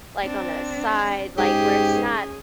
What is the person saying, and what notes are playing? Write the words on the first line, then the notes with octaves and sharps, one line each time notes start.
like, on a side like, where it's not
C4 D4
G#2 C#4 G4 G#4